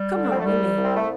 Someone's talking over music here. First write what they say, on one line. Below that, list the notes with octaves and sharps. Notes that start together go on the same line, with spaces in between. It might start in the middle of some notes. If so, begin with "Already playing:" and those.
Come home with me.
Already playing: G3
D3
D4
C4
A3
C2 G3
C2
C4
A3